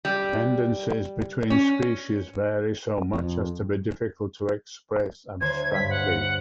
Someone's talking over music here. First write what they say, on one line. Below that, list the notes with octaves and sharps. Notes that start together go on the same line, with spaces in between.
Dependencies between species vary so much as to be difficult to express abstractly.
G3
C#4
F2
D2 C5 C#5 G#6
G2 B6
F#5